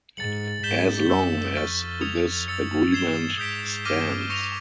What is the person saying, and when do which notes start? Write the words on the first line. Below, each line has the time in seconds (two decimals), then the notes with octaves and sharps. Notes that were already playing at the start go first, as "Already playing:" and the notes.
As long as this agreement stands.
0.17 G#2 A6 C#7 F#7
0.63 G#2 G6 B6 E7 G7
1.09 F#2 E6 G6 B6
1.55 F2 C#6 F6 A6
2.01 D#6 G#6 C#7 F7
2.47 F#2 E6 A6 C#7 F7
2.92 G2 G#6 C7 E7 G7
3.38 G#2 D#6 G6 B6 D7 G7
3.85 G2 D6 F6 A#6 D#7 G7
4.30 C#6 F6 A#6 C#7 F7